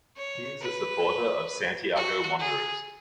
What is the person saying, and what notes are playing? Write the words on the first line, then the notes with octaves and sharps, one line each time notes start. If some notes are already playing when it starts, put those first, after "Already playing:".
He is supporter of Santiago Wanderers.
C#5
B4
F#4
G#4